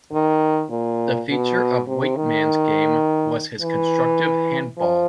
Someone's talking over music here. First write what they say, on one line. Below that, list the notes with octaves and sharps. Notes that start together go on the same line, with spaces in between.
The feature of Weightman's game was his constructive handball.
D#3
A#2
B2
C3
D#3
E3
F3